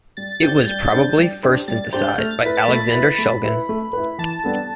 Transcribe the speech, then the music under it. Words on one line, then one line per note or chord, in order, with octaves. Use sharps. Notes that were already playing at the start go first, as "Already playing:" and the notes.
It was probably first synthesized by Alexander Shulgin.
G3 A6
A6
D4 G4 C5 G6
A6
G3
D4 G4 C5
G3
D4 G4 C5
G3 A6
D4 G4 C5 G6
A3 F6
A6
E4 B4 B6
A6
A3 B5
E4 B4 B5
A3
E4 B4
A3
E4 B4
E3 A5
G3 B3 D4 A4